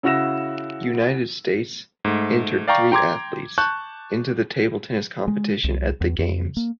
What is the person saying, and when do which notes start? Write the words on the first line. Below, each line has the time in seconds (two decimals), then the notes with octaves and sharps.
United States entered three athletes into the table tennis competition at the games.
0.03 C#3 E4 F#4 E6 A#6 E7
2.05 G#2 A3
2.68 D5 F5 G5 A#5 C#6
2.92 G5 A#5 C6 D6 G#6
3.58 A5 C#6 F#6 G6
5.28 G#3
5.64 C2
6.01 E2
6.18 F2
6.57 A#3